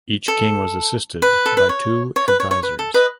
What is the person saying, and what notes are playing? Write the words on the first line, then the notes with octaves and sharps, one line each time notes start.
Each king was assisted by two advisors.
A4
B4
A4
B4
C#5
C#5
B4
C#5
C#5
B4
A4
B4 D#5